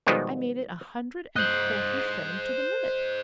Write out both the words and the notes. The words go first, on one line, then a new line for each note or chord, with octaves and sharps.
I made it a hundred and forty-seven to the minute.
B2 D#3 F3 G3 G#3 B3
C5 D#5 F#6 G6 F#7